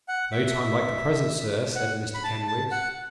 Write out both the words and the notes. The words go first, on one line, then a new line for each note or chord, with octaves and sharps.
'No time like the present, sir,' said Mr Kenwigs.
F#5
E5
F#5
B5
A5
A5
F#5